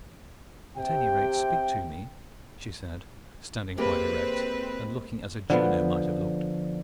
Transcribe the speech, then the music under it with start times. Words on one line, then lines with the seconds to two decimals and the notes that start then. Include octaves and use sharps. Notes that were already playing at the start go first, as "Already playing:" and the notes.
"At any rate speak to me," she said, standing quite erect, and looking as a Juno might have looked.
0.77 C3 G5
3.77 G#3 A#3 C4 G4 B4
5.50 D3 F3 B3